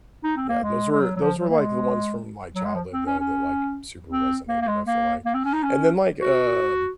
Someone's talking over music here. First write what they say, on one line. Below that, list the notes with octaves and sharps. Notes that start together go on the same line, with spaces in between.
yeah, those were those were like the ones from my childhood though, that like super resonated, I feel like. And then like um
D#4
C4
A#3
G#3
G#3
F#3
F#3
F3
F#3
A#3
G#3
F#3
G#3
F3
C4
C#4
C#4
C4
A#3
A#3
G#3
A#3
A#3
C4
C#4
D#4
C#4
F#4